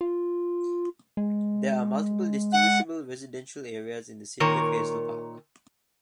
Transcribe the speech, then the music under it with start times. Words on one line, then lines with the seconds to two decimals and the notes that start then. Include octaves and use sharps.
There are multiple distinguishable residential areas in the city of Hazel Park.
0.01 F4
1.17 G#3
2.52 F#5
4.40 A#2 D#3 A#4 C#5